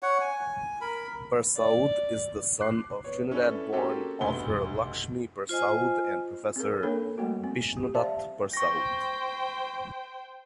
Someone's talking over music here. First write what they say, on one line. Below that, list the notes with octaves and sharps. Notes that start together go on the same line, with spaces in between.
Persaud is the son of Trinidad-born author Lakshmi Persaud and Professor Bishnodat Persaud.
C#5 F#5
G#5
A#4 B5
D5
D6 F#6 C7
B3 C#5
C#4 D4 E4 A4 B4
A#3 C4 C#4 F#4 G4 A4
F1 D2 B2 F#5 B5 G7
F4 C5 D#5 G#5
C4 G#4 A#4
A#3 D4 A4 A#4 C#5
G3 A3 A#3 F#4
C4
G4
C5 D5 E5 F5 A5
C5 G5 C#6 A#6